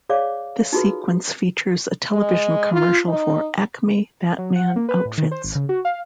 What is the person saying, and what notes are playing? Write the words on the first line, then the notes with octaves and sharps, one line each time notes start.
This sequence features a television commercial for Acme Batman Outfits!
G#4 C#5 D5 F5 D6
D#4 F4 F#4 G#4 A4 B4
G#3
F4
D#4
F#3
F#5
A#3
B4
A2
D#3
C5
G#1
C#3
F#4
F5